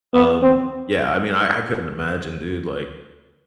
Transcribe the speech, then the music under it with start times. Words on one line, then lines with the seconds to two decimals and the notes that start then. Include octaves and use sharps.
um, yeah, I mean, I I couldn't imagine, dude, like
0.14 B3
0.42 C4